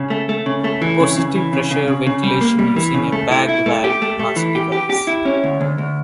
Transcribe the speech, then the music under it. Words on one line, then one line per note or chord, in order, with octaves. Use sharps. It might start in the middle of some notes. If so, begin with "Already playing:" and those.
Positive-pressure ventilation using a bag valve mask device.
Already playing: C#3
A3
A3
C#3
A3
E3
C#3
C#3
E3
C#3
C#3
C#3
C#3
G3
A#3
G3
E3
C#3
A3
E4
E4
A3
G4
A3
A3
E3
G4
G4
G4
E4
C#4
D2
D2
D2